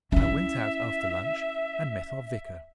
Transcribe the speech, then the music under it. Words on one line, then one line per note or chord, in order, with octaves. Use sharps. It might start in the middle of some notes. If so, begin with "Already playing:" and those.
I went out after lunch, and met our Vicar.
C#4 E4 E5